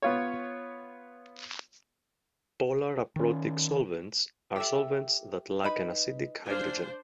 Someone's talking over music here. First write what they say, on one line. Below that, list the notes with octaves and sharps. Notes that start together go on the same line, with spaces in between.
Polar "aprotic" solvents are solvents that lack an acidic hydrogen.
B3 F4 C#5
D#3 C#4
G4 A4 E5
D#4 B4 B5
D4 G#4 C5 F5